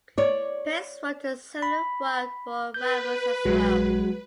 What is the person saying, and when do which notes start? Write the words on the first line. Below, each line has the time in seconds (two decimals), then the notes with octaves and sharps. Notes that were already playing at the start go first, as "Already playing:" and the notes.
Pace wrote a similar work for Ramus as well.
0.18 C#5 D5
1.62 B5
2.74 B4 G6
3.45 A#1 F#3 G#3 F#4